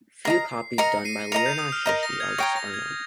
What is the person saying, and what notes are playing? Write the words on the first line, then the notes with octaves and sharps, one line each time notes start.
Few copies done by Leonardeschi artists are known.
A#4 D#5 A#5 C7
C7
A#4 D#5 A#5 A#6 C#7
C7 D#7
A#4 D#5 A#5 C#7 F7
G6
D#6
F6
A#4 D#5 A#5 G6
A#6
G#6
C#5 G5 A#5 A#6
A#6
G#6